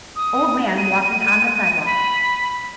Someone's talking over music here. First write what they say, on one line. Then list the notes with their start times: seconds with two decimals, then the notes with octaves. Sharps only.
Old man walking on the sidewalk.
0.16 D#6
0.78 D#7
1.85 B5